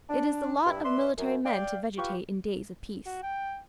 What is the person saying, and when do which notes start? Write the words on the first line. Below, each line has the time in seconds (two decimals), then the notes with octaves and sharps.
It is the lot of military men to vegetate in days of peace.
0.10 D4
0.66 G2 E4
0.85 B4 D5 E5 C6
1.17 F#2
1.45 D5 F5 G5
1.98 F4 G4 B4 F5 C#6
3.06 F#4
3.23 G5